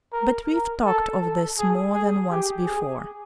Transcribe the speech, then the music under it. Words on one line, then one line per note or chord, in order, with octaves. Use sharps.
But we've talked of this more than once before.
A#4
A#4
A4
A4
G#4
G#4
G4
G#4